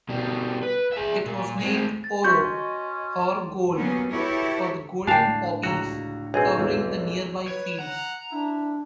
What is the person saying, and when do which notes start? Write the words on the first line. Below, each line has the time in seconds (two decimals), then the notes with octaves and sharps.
It was named 'oro', or gold, for the golden poppies covering the nearby fields.
0.09 B2 G3
0.63 B4
0.93 G#4 E5
1.26 A#2
1.59 G#3 C4
2.04 A6
2.25 C#4 F#4 E5 C6 G6
2.44 D#5
3.76 F#3 G3 A#3 B3 C#4
4.12 E4 F#4 G4 A4 B4 C#5
5.07 A2 D3 D4 F5 G5 A5
5.63 C#2 F#4 A#5
6.34 B1 C4 G#4
6.58 E2 G#2
7.48 B4 C#5
7.79 F#5 A#5
8.32 D4 E4